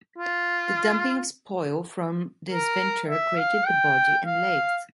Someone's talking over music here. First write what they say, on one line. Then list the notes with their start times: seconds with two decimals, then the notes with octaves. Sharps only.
The dumping of spoil from this venture, created the body and legs.
0.18 F4
2.51 A#4
3.09 E5
3.37 F5
3.66 G5
4.25 F5